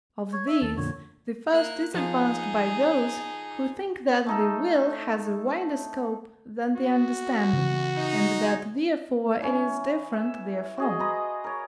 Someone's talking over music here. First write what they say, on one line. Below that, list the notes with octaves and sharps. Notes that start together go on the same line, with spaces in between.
Of these, the first is advanced by those, who think that the will has a wider scope than the understanding, and that therefore it is different therefrom.
C#5
E5
D#2 A4
F2 A#2 D3 C#5
A#3 F#6
F3 D#4 G#4
A3 D#4 A4
F#4
C#3 E3 C4
D#4
E3 C#4
E5
F#4 G#4 D#5
B4 A#5 C6
A#4 C#5